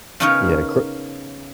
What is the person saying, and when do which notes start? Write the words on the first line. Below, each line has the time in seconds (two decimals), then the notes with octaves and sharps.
Yeah, cro
0.20 C#3 B3 C#4 D#4 A#4 C#5